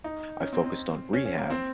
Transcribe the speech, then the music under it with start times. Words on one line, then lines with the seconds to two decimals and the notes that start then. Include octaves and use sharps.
I focused on rehab
0.04 D#4
0.40 C#4
0.53 C4
0.65 C4
1.13 C#4
1.26 C#4
1.38 A#3
1.50 C4